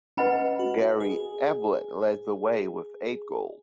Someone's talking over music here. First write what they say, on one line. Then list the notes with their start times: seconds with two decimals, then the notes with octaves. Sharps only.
Gary Ablett led the way with eight goals.
0.17 C#4 B4 D#5 F#5 B5
0.59 F#4
1.00 G#4